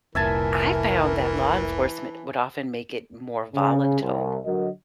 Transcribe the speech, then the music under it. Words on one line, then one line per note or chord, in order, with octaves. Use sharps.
I found that law enforcement would often make it more volatile
F1 C2 A#2 E3 A#4 E5 G#5 A5
C#3
C2
D3 F#3 F#4 A#4 D#5